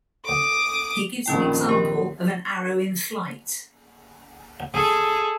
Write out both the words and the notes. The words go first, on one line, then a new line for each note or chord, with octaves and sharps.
He gives an example of an arrow in flight.
D6 D#6
A#1 F2 D#3 C#4 E4 G5
G4 A#4
G#4 A4